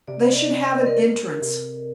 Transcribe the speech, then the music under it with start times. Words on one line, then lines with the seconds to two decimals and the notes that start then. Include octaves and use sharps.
They should have an entrance.
0.08 C3 D5
0.19 D#5
0.32 D5
0.52 D#5
0.64 D#5
0.86 A#4
0.98 A4
1.42 C3